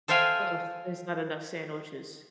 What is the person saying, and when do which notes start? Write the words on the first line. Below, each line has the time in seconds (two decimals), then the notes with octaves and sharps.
uh, there's not enough sandwiches
0.08 A4 C5 E5 F5 G5 G#5